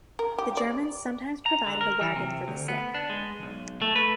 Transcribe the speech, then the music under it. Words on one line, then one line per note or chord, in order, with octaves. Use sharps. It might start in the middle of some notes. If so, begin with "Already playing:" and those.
The Germans sometimes provided a wagon for the sick.
A#4
G4
D5
A#5
D3
A#4
E3
C3
D2
B3
D4
G#3
B1
A3
B4